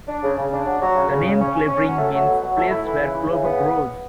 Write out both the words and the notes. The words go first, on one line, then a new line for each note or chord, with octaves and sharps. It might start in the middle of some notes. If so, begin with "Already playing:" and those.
The name 'Clavering' means 'place where clover grows'.
D4
C#3
C#3
D4
F#3
F#3
C#3
C#3
C#3
C#4
C#4
C#4
F#3
A3
F#3
B2
F#3
A3
E4
E3
C#3
E3
C#3
B3